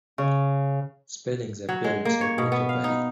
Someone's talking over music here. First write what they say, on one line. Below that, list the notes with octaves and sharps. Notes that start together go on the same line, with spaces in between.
Spellings appeared on Celebrity Jeopardy!
C#3
F#3
G#3
A#3
C#5
B2
B3
F5
D#4